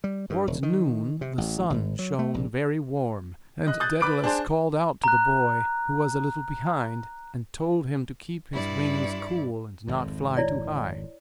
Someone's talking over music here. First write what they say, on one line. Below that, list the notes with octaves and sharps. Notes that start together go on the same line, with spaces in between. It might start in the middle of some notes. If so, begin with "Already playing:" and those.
Towards noon the sun shone very warm, and Daedalus called out to the boy who was a little behind and told him to keep his wings cool and not fly too high.
G3
G2
E1
D#3
C3
A1
G#1
F#3
A3
A#1
D#5 F#6
D#6 F#6 G6 A6
B4 B5 D6 F#6 D7
D4 G#4 C5 A5
A#5 F#6
G2 E4 D5
G#1 F2
E4 C#5 D5